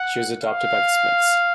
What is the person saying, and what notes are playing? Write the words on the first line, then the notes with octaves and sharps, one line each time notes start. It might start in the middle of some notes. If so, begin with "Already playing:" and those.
She was adopted by the Smiths.
Already playing: F#5
F5